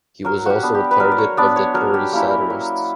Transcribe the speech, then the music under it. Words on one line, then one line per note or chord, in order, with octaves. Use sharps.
He was also a target of the Tory satirists.
F#3 A#4
F#4 G4
B3 D4
G4
B4
F#3 A#4
D5
C#5
B3 D4 D5
C#5
F#3 A#4
G4
A#3 C#4 E4 G4
A#4
F#3